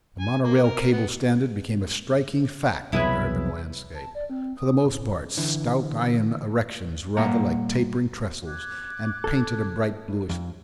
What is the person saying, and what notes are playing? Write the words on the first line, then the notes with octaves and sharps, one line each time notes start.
The mono-rail cable standard became a striking fact in urban landscape, for the most part stout iron erections rather like tapering trestles, and painted a bright bluish green.
G#5
A#3
A#4
B3
C2 B2 F#3 E4 G#4 B4
A5
D5
C4
D#6
A2
D3 E3
A#2 G3 A#3 F5 F#5 A#5
D6 F#6 G#6
A4
F2